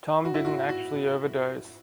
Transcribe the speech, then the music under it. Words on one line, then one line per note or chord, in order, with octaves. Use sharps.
Tom didn't actually overdose.
F#4
E4
F#4
F#4